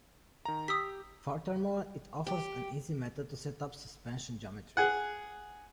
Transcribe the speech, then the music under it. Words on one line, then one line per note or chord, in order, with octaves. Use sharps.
Furthermore, it offers an easy method to set suspension geometry.
D#3 A#5
G4 D#6 E6 B6
G4
G#4 F#5